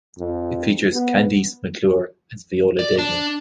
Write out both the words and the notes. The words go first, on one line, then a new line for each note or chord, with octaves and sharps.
It features Kandyse McClure as Viola Desmond.
F2
B3
D5
D4